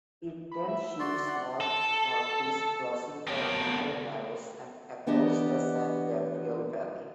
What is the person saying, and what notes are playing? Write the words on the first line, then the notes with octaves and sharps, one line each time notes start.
It then shifts north-northeast, crossing the Whittier Narrows and across the San Gabriel Valley.
B5
E5
F#4 D5 C6
F#5
A4
A3 B3 C4 G4 A#4 G5
E3 B3 D4 G4 D#5